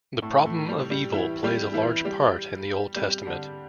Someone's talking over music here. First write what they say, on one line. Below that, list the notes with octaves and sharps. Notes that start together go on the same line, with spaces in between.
The problem of evil plays a large part in the Old Testament.
A2 A3
A2 A3
G3
G3 G4
E3 E4
G3 G4
E3 E4
G3 G4
G3 G4
D3 D4